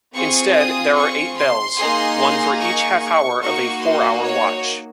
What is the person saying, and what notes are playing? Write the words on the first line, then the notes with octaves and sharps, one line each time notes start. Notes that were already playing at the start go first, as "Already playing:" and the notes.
Instead, there are eight bells, one for each half-hour of a four-hour watch.
C4 F4 G#4 C#6
D#6
C#6
C6
A#3 D#4 G#4
C#6
C#6
A#3 D#4 F#4 C#6
C6
C#5